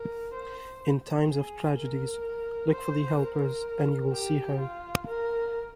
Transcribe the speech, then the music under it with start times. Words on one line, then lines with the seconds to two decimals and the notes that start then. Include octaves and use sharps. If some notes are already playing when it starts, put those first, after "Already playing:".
In times of tragedies, look for the helpers and you will see hope.
Already playing: A#4
0.34 C5
1.29 G#4
1.77 A#4
2.71 C5
3.18 A#4
4.12 G4
4.60 F4
5.08 A#4